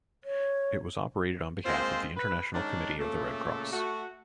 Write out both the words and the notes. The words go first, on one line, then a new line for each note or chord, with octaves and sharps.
It was operated on behalf of the International Committee of the Red Cross.
C#5
G#3 A#3 C4 F4 C5
B4
D#3 G#3 C#4 D4
A#2 C#3 A3
A3 F#4